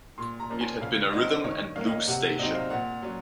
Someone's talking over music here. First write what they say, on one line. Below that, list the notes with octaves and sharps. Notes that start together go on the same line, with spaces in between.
It had been a rhythm and blues station.
A#2 C6
A#5
F3 A#3 C#4
G#5
C#3 F5
F#3 C4 D#4 D#5
D#3 C#5
A#3 C#4 F5
D#5
C3 F#5
F#3 C4 D#4 D#5
F5
A#2 F#5
F#3 C#4